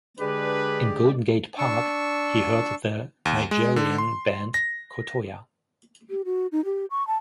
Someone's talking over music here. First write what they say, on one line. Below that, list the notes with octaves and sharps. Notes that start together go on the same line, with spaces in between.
In Golden Gate Park, he heard the Nigerian band Kotoja.
D3 G#3 D4 G4 G#4 B4 D5
D4 C#6 E6
D#2
G#3
D3
C6
A#6
G4
F#4
D#4
G4
C#6
A5